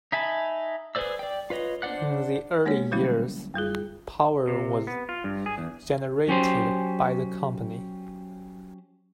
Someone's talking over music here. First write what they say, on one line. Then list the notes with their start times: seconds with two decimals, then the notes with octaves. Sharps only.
In the early years, power was generated by the company.
0.12 D#4 E5 G#5 A5 B5
0.95 G#4 B4 C5 D5 E6
1.19 D5 G5
1.50 F4 B4 C#5 D#5
1.82 D4 C5 D5 F#5 F#6
2.66 G#3 A#3 D4 G4 C#5
2.92 D3 F#3 G3 A3 C#4 E4
3.54 F#2 G3 F4 G#4
4.48 C3
4.87 B3
5.09 F4
5.24 G2
5.46 G#4
5.58 E2
6.28 F#3 C#4 G4 C5 C6